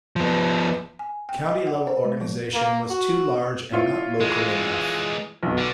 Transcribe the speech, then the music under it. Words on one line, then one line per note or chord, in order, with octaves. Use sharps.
County level organization was too large and not local enough.
F3 B3
G#5
G5
D#5
F#5
C5
G#3
F3
A#3
F#4
E4 F4 C#5
E3 G#3
B1 B2
D3